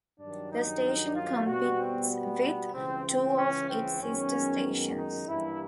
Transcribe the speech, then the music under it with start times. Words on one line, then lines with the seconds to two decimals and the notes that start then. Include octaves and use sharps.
The station competes with two of its sister stations.
0.19 G2 D#3 F#3 D4
0.51 D#4
1.15 F4
1.46 B2 G3 B3 F#4
1.79 C4
2.09 B3
2.74 C#2 C#3 E3 C4
3.05 C4
3.37 C#4
3.69 C4
4.01 F#2 D#3 G#3 B3 C#4
4.96 D#4
5.28 G2 E3 G3 A#3 E4